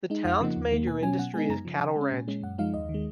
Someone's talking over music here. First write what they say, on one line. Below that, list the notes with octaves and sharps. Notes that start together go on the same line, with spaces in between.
The town's major industry is cattle ranching.
G#3 D#4
F2 F#5
C#3 F3 A#3 D#4
D#2
D#3 A#3
B2 G#5
F#3 C#4 G#5
B2 F#5
G#3 B3 D#4 G#5
F#2 A#5
C#3 F3
C#3 G#5
G#3
C#4
A#2
G#3 C#4
F#2 F#5
F3 G#3 D#4 F5
D#2 D#5
D#3
G#3